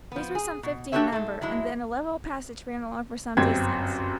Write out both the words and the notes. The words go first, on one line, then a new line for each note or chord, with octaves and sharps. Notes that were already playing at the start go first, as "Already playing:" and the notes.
These were some fifty in number, and then a level passage ran along for some distance.
F3 B3
G#4
B2
D4 F#4 G4 A4 C#5 E5
G#2 A3
F#3 G#3 E4
G1 F#2 C4 G#6